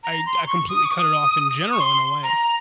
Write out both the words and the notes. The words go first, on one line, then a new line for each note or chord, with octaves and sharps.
I d I completely cut it off in general, in a way.
A#5
C6
C#6
D#6
C#6
D#6
D#6
C#6
C6
A#5